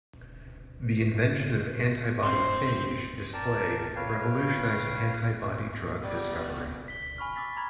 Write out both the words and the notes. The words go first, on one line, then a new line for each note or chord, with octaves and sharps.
The invention of antibody phage display revolutionised antibody drug discovery.
C4 C6
A#4 D5 G5 A5
B4 C#5 F5 G5
G3 B3 D5
B6 G7
B6
G#5 B5 C#6 F6
D6 E6 A6 B6
A#5 B5 G#6 B6